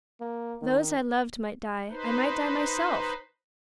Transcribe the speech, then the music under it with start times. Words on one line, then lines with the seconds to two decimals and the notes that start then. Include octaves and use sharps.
Those I loved might die; I might die myself.
0.21 A#3
0.62 D#3
1.91 D#4 B4 C5